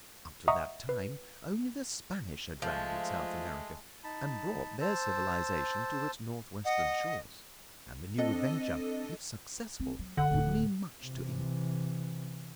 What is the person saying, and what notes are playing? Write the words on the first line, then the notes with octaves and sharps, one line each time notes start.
Up to that time only the Spanish had rounded South America and brought their civilization to its northwestern shores, and the new venture, if successful, would mean much to England.
D#5 E5 F#5 A#5 C#6 D#6
B4
F3 G#3 A3
D#4 A5 B5
C5 A5 E6
D#5 F#5
C4 D4 A4 D#5
C4
F#3
F#1 D3 F#5
D1 A2
C3 E3